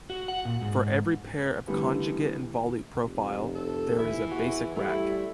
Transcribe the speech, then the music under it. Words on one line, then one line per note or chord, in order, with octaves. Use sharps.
For every pair of conjugate involute profile, there is a basic rack.
F#4
F#5
A#2
G#2
D3 E3 G3 A3 B3
F1
A4
D#2 E3 E4
E2 F#4
G3 A3 E4